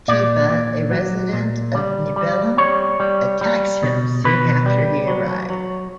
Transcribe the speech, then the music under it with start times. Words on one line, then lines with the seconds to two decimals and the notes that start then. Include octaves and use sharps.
Tifa, a resident of Nibelheim, attacks him soon after he arrives.
0.08 A#2 D5
0.50 A#2
0.91 F#3
1.33 A#2
1.75 G3
2.16 G3
2.58 G3 C#5
3.00 G3
3.41 G3
3.83 B2
4.24 B2 B4
4.66 G3
5.08 F#3
5.50 F#3